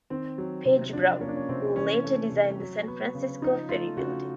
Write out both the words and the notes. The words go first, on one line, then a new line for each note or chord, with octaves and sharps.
Page Brown, who later designed the San Francisco Ferry Building.
D#3 C4
F#3
C3
F3 D4
A#3 C#4
D4
C#4
C3 C4
E3 C#4
A3
C3
F#3
B3
C#3
F3 D#4
A3 F4
C#3 F#4